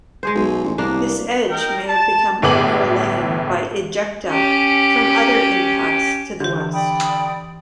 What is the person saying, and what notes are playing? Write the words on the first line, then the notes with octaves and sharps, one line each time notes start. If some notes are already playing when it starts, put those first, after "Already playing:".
This edge may have become overlain by ejecta from other impacts to the west.
G#3 G#4 C5
B1
A1
C2 A#3 D4
D#4 A#4 G5
A5
G1 A2 B3 G#4 D6 F#7
C#4 G4
D3 E3 G4
D5 G5 B5 D#6